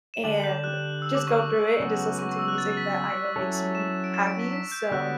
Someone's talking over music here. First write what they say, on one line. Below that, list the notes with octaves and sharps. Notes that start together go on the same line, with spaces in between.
and just go through it, and just listen to the music that I know makes me happy. So,
E7
D3 G3 D4 G4 F#7
G6
F#6
E6
D6
C#6
D6
C#3 F#3 B3 F#4
C#6
C#6
E6
F#6
A6
B6
F#3 C#4 E4 A4 C#5
E7
D7
E7
D7
B6
B6
G6
D3 G3 B3 F#4 C#5 F#6